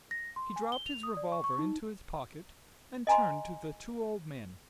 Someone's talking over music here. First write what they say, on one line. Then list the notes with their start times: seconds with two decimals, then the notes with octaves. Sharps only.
He dropped his revolver into his pocket and turned to the two old men.
0.11 A#6
0.36 C6
0.56 G#5
0.72 G7
0.86 F7
1.03 D#6
1.17 D5
1.32 C#6
1.44 C#6
1.59 D#4
3.07 D#5 G#5 A#5 C6